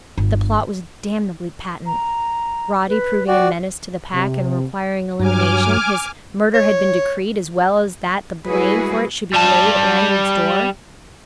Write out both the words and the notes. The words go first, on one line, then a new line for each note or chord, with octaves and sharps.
The plot was damnably patent: Roddy proving a menace to the Pack and requiring elimination, his murder had been decreed as well as that the blame for it should be laid at Lanyard's door.
G1
A#5
B4
F#4 D5 G5
C3
G2 F#3 G#5 D6 F6
C#5
G3 G#3 E4 F#4 G#4 B4
G3 A5